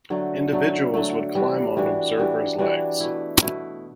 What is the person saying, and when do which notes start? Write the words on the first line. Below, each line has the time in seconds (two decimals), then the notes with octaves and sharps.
Individuals would climb on observer's legs.
0.10 D3 F#3 A3
0.52 D3 F#3 A3
0.94 D3 F#3 A3
1.35 E3 G3 D4 F#4
1.77 E3 G3 D4 F#4
2.18 E3 G3 D4 F#4
2.58 E3 G3 D4 F#4
3.00 B2 A3 E4
3.42 B2 A3 E4